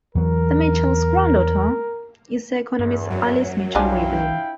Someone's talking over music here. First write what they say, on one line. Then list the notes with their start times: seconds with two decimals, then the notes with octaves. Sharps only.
The Mitchells' granddaughter is the economist Alice Mitchell Rivlin.
0.15 E2 E3 F#3 A#4
2.79 E2 G2
3.10 F#2 F#3
3.75 B1 F3 D4 E4 F5 G5 G#5